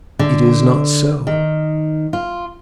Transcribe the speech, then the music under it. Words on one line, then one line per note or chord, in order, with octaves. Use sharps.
It is not so.
D3
D#3
F4